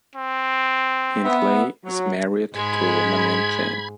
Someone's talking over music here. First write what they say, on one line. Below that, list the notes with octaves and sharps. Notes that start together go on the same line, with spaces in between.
Hindley is married to a woman named Jane.
C4
B3 E5
F#3
G#2 G#3 B5 G#6